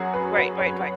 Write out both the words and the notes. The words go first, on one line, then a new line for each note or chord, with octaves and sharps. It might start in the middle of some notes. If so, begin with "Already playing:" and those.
Right, right, right.
Already playing: F#2 F#3 F#4 G#4
B4
B4
C#5
F#5